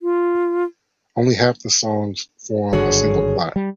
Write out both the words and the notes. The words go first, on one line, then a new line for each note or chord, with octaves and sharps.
Only half the songs form a single plot.
F4
G#1 G2 D3 F#4 G#4 C#5
G3